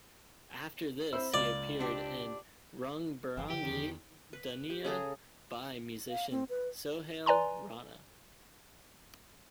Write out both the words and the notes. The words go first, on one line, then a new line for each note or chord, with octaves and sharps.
After this, he appeared in "Rung Barangi Duniya" by musician Sohail Rana.
C4 E4 C5 E6
C#2 A#3 D5
C4 D4 G4
G1 E3 F5 G5
D3 F3 G4 G5
E2 D#3
B4
G4
C#3 G#4 A4 A#5
F5
C4
B4
B4 D5 G#5 A#5 C6